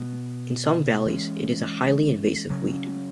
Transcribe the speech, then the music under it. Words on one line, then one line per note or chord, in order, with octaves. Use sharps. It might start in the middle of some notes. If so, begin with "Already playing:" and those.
In some valleys, it is a highly invasive weed.
Already playing: B2 B3
E3 G#3 C#4
C#3 F#3 C#4